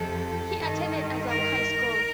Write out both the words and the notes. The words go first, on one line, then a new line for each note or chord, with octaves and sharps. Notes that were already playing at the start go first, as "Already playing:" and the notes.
He attended Azabu High School.
Already playing: F2 C3 F3 A4
G2 D#3
A#4